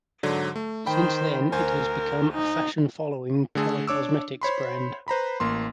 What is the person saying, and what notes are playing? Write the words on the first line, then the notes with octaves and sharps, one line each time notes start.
Since then it has become a fashion-following colour cosmetics brand.
G#2 D3 F#3
A3
D#3 C5 G5 B5
D2 A#4 C5 G#5
D#4
D3 A3 G#4 A4
D4 C#5 D6 E6
C5 C#5 B5 C6
B4 C5 A#5 B5
A1 A#3 C6